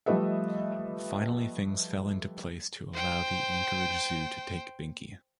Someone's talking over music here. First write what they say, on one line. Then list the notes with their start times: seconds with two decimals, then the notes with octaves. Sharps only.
Finally things fell into place to allow the Anchorage zoo to take Binky.
0.06 F3 G3 A3 B4 D#5 E5
2.93 C5 G5